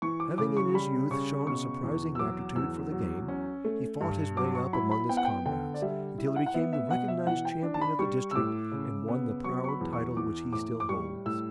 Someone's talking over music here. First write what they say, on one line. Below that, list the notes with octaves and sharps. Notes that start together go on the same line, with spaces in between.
Having in his youth shown a surprising aptitude for the game, he fought his way up among his comrades, until he became the recognised champion of the district and won the proud title which he still holds.
E3 C#6
D6
C#3 D6
C#6
G3 B5
C#3 C#6
B2 C#6
E2
E6
F#3 D6
E2 E6
F#3
C#4
A3
G2
F#3 D6
C#6
E4 B5
B5
B3 G5
F#5
G5
D3 G5
D5
G3 E5
E4
E5
F#5
F#5
B3 E5
E5
B2 F#5
E5
E3 F#5
G5
D4
A5
B5
G3 C#6
E6
A2 D6
C#3
B3
F#3 C#6
C#6
B5
E2
C#6
E3 D6
A2 D6
D6
G3 C#6
A2 E6